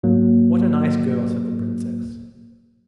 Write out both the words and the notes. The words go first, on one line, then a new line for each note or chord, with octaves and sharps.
"What a nice girl!" said the princess.
G#2 F#3 A#3